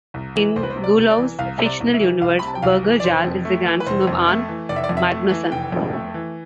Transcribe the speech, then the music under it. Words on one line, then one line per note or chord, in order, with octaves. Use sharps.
In Guillou's fictional universe, Birger Jarl is the grandson of Arn Magnusson.
C2
E3
C2 C5
B4
C5
C3
D5
C2
D5
E3
C2 F5
C3 E5
D5
C2
E5
E3
C2 F5
B5
C3 A5
G5
C2 F5
E3
D5
F1 C5
F2
A3
E3
B4
F1 C5
F2
A3
E3
F1 D5
E5
D5
F2
E5
A3
E3
F1 G5
F2
A3
E3